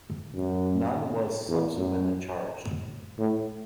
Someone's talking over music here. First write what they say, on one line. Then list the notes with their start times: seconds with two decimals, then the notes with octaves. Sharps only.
None was subsequently charged.
0.35 F#2
1.49 E2
1.77 F#2
3.18 A2